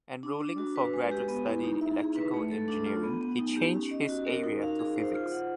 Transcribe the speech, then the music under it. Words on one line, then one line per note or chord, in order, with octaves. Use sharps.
Enrolling for graduate study in electrical engineering, he changed his area to physics.
D4
D4
F#4
B4
G#3
G4
B3
E4
D#4
E5
G#4
B4
A3
A4
D4
F4
B3
B3
D#4
G4
C#4
D#5
F#4
A#4
D#4
F5
G#4
C5
F4
F#5